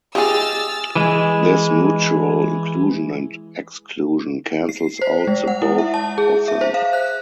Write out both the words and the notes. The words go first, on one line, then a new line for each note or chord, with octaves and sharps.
This mutual inclusion and exclusion cancels out the both of them.
F4 G4 G#4 D#5 E6 F6 A6
E3 G#3
C7
C5
G#3
F#5
E4
E5
A5
G#4
E5
C5
F5
F#6